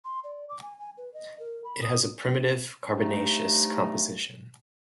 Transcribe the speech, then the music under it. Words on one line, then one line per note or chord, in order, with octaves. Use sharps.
It has a primitive carbonaceous composition.
C6
D5
D6
G#5
G#5
B4
D#5
A#4
B5
D#6
G2 C3 A3 D#4